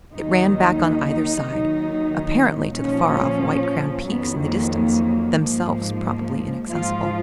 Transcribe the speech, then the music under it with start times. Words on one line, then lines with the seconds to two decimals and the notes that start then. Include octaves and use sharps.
It ran back on either side, apparently, to the far-off white-crowned peaks in the distance, themselves probably inaccessible.
0.13 D#2 D#3 F#3 D#4
1.44 D#2 D#3 F#3
2.76 A#2 F3 C#4
4.08 F2 D#3 F#3 B3
4.40 A#3
4.74 A#3
5.40 G#2 F3 A#3
6.71 G#2 F3 F4